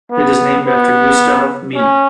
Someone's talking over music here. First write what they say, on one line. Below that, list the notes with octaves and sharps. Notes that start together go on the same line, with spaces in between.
It is named after Gustav Mie.
B3
B3
C#4